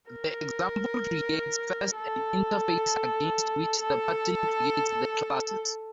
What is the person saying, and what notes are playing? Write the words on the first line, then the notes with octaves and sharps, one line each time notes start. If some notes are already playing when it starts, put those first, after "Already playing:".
The example creates first an interface against which the pattern creates the classes.
A#4
A4
A4